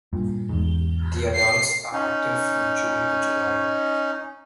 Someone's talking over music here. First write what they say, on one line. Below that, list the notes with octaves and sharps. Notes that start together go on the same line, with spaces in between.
The adults are active from June to July.
G2 A#2
E2 G#2
C7
C#4 D#4